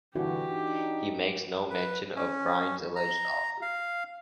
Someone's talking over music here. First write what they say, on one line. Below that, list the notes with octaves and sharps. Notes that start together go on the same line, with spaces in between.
He makes no mention of Phryne's alleged offer.
G2 A#2 D3 E3 F#4 G4
D4 D#4
B4
C#4
A#5
F5